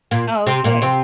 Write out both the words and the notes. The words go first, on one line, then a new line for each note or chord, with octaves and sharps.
Oh, okay.
A#2 A#3
C3 C4
A#2 A#3
C3 C4